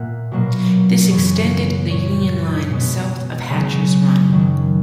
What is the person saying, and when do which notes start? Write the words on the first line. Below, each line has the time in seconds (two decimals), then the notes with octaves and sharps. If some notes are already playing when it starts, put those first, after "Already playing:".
This extended the Union line south of Hatcher's Run.
Already playing: A#2 A#3 E5 F#5
0.31 B2 F#3 A#3
1.10 F#2 C#3 E3 B3 C#5
1.90 A#2 F#3 B3 C#5
2.70 B2 G#3 B3
3.50 C#3 F#3 B3
4.29 F#2 D#3 F#3